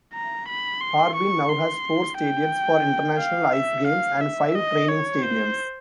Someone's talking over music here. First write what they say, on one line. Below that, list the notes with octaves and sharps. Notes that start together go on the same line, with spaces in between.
Harbin now has four stadiums for international ice games and five training stadiums.
A#5
B5
C6
C#6
C6
G5
F5
E5
F5
E5
D#5
C#5
C5